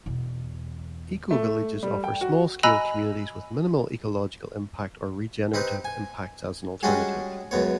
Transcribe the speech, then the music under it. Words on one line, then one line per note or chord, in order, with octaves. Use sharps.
Ecovillages offer small-scale communities with minimal ecological impact or regenerative impacts as an alternative.
E2 B2
A3
G3
G5
F#4
D#5 G#5 A#5 B5 E6 F#6
C4 D#4 G4 B4
G#5
G3 G#3 C#4 D4 F#4 G#4
C#2 F#2 B3 C#5